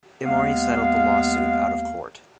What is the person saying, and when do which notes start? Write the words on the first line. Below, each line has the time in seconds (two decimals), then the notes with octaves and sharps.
Emory settled the lawsuit out of court.
0.24 D#2 G#3 B3 F5